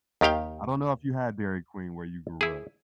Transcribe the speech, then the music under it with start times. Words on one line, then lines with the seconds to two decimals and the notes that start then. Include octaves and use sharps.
I don't know if you had Dairy Queen where you grew up.
0.21 D#2 D#3 G4 F5 G5
2.41 E4 G#4